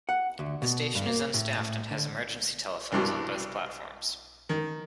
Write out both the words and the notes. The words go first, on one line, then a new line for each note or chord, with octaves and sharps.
The station is unstaffed and has emergency telephones on both platforms.
F#5
D2
B2
G2
A#3
A2
A2
D3
C2 G2 B2
D#3